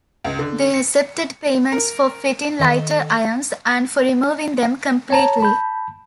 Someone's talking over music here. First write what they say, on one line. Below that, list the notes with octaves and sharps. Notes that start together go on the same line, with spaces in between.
They accepted payments for fitting lighter irons and for removing them completely.
C#2
D3
C#7
A#4
D#3 A4 D#5 E5
C#5 A5 A#5
A5 B5 G6